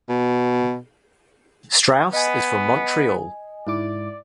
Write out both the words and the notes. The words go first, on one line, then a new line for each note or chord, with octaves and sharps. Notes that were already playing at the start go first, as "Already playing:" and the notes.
Straus is from Montreal.
B2
B3 D#5 G#5
G#2 E4 D5 D6